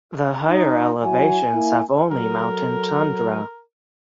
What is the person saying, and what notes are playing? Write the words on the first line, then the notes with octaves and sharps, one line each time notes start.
The higher elevations have only mountain tundra.
D#4
F#3 E4 F#4 G#5
A#3 E4
F#3 A4 A#4